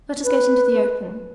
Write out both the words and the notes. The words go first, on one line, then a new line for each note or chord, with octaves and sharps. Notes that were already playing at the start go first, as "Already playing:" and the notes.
Let us get into the open.
B4